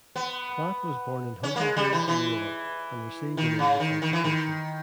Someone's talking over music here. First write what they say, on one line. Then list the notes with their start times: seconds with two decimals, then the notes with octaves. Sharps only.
Platt was born in Huntington, New York, and received an English education.
0.16 B3
1.43 C#4
1.56 A#3
1.59 G#3
1.77 G3
1.93 E3
2.08 E3
3.37 D#3
3.59 C#3
3.80 D#3
4.02 D#3
4.13 E3
4.24 D#3